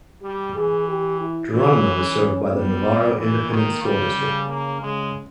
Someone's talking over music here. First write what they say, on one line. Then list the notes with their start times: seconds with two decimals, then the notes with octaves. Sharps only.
Geronimo is served by the Navarro Independent School District.
0.22 G3 G4
0.55 E3 G#4
0.88 G4
1.20 E4
1.53 E3 C#4
2.18 C#4
2.52 G3 B3
3.17 E3 A#3
3.50 D#3
3.83 C#3 G3
4.15 C#3
4.48 A#3
4.81 C#3 G#3